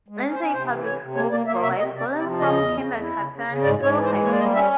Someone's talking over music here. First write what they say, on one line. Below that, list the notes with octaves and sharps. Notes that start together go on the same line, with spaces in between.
Lindsay Public Schools provide schooling from kindergarten through high school.
G#3
C#4
C5
C#4
C3 C5
E3
C3 C#5
C3
A#3 C#5
A#3 D5
A#3 E5
C3 E5
C3 D#5
C3 D5
C3
D5
F3
C#3 D#5
E2
C#3
E2
E4
C#3
C#3
C#3
G#2 D5
G#2 C#5
E3
C5
G#3
A#3 C#5
D5
G3 D#5
C#4 E5